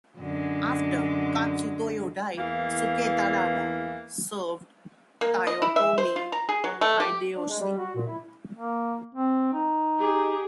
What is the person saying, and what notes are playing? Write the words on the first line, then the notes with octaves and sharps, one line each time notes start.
After Katsutoyo died, Suketada served Toyotomi Hideyoshi.
F#2 D3 G#3
E2 E3 A#3 F5
A#3
D#5
E4
E5
C5
F4
A#5
G#4
F#3
A3
G4
D4
G#3
G3
F#4
A#2
E4
A#3
C4
D#4
G4 G#4